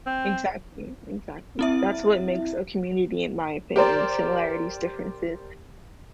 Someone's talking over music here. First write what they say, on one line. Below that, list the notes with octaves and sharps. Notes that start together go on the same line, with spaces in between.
Exactly, exactly, that's what makes a community in my opinion, similarities, differences,
C4
C4 E4 E5
G4 A#4 C5 D5